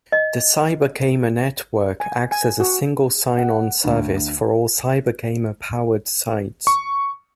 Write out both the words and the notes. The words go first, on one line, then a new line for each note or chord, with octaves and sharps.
The CyberGamer Network acts as a single-sign on service for all CyberGamer-powered sites.
D#5
G#5
G#5
F#4
F#5
D2
C#6